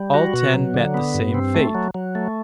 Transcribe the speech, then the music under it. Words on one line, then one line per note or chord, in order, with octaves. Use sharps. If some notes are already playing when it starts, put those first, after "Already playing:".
All ten met the same fate.
Already playing: G3
F#4
B2
F#3
D3
B3
G2
C4
A3
F#3
F#3
A3